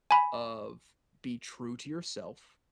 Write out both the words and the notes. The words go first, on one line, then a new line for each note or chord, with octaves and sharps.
of, "Be true to yourself
G#5 B5